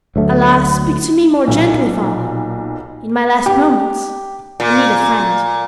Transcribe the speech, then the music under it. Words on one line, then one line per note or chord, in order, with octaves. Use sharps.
"Alas, speak to me more gently, father; in my last moments I need a friend."
D2 F#3 A3
B1 A#2
G4
A#2